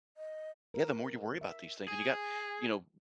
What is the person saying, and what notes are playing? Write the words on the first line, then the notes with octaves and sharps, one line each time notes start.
Yeah, the more you worry about these things, and you got, you know,
D#5
A#4
E5
G#4 G#5